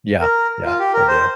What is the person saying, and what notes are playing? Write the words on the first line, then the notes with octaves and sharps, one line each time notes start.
Yeah, Yeah. I do.
A#4
F4
G4
A#4
C5